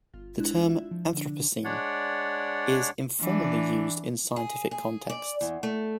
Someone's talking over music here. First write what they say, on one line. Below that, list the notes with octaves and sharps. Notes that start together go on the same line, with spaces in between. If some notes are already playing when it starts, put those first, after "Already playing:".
The term "anthropocene" is informally used in scientific contexts.
G1 F4
G#3 D4 E4 F#6
E4 F4 E5
F3
D3 D4
G#3 D4 C#5 D5 F#5
E3 D4
G#4
G#4
D5
E2
A3